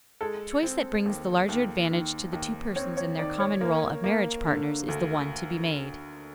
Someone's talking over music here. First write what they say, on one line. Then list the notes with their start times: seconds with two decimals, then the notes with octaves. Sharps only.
The choice that brings the larger advantage to the two persons in their common role of marriage partners is the one to be made.
0.21 G#3 A4
0.63 C4
1.06 D#2
1.49 D#2
1.91 D#3
2.33 D#2
2.76 C4 C#5
2.97 C#5
3.19 D#3 D5
3.40 C#5
3.61 A#3
4.04 A#3
4.46 D3
4.88 D2